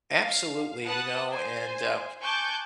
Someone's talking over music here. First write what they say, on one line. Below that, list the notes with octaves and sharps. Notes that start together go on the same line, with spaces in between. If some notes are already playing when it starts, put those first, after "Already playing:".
Absolutely, you know, and, uh,
F5
B4 F#5 A5 D#6 F#6
C5 G#5
G#5 A5 C#6 D6 F#6 G6